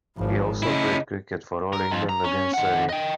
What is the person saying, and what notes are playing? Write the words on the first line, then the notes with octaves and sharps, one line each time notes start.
He also played cricket, for All England against Surrey.
G#1 E3 F3
C#3 C#4 E4 D#5
A#4
F2 F3
A#5
C#4
D#3 F#5
D#5 G5